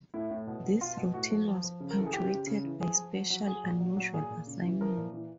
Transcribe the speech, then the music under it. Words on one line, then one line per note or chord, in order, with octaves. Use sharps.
This routine was punctuated by special unusual assignments.
A2 E4
A2
B2
B2
B2 F4
B2
A2 F#4
F3
F3
F3
C#3
A#4
E3 A4
G#4
C#3 G4
C#3
C#3
E3
F3 G#4
F3
F#3
F#3
F#3 G#4
A#2
F#3
F#3
A#2 G#4
A#2
C#3
E3
F3 A#4
A#2
E3